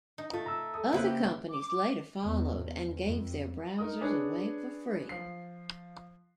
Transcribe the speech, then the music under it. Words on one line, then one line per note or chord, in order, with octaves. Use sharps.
Other companies later followed and gave their browsers away for free.
D#4
A3 F4
A#5 E6
A4 D#6
C#3 A#3 E4 B4 C5
G4
D6
E2
E2
F2
D#4 A#4 D#6
D4 G#4 B4 C#5
F3 C7